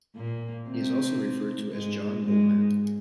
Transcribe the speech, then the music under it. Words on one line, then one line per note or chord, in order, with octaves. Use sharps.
He is also referred to as John Boman.
A#2 A#3
C3 C4
G#2 G#3
G#2 G#3